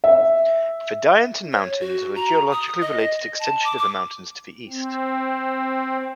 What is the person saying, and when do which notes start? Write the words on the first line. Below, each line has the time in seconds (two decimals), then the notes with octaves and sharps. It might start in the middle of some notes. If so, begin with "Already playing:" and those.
The Dienten Mountains are a geologically-related extension of the mountains to the east.
0.04 E5
1.53 C#5
1.80 F#4
2.15 A#5
2.52 D#6
2.81 D#5
2.97 D#5
3.40 A5
3.64 D6
3.78 D6
4.69 C4